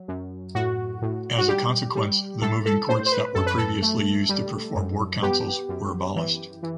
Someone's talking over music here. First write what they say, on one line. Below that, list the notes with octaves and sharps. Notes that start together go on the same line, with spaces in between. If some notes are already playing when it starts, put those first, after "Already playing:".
As a consequence, the moving courts that were previously used to perform war councils were abolished.
Already playing: F#3
F#2
A2 F#4
A2
F#4
G3 G4
G3
A2 A4
A4
A2 C5
C5
B4
F#2 A4
B4
A4
A3
G3
F#2
B3 G4
F#2
E3
E3